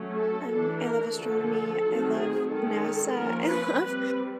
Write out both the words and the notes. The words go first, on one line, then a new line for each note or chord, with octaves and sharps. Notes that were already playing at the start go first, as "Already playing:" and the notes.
Um, I love astronomy, I love NASA, I love
Already playing: F#3 A3 C#4
A4
E3 A3 D4 A4
A#4
D3 F3 A3 A4
D#3 F#3 A3 C4
G#4
D#3 G#3 C#4 A4
F3 A#3 C#4 A#4
B4
G3 C4 B4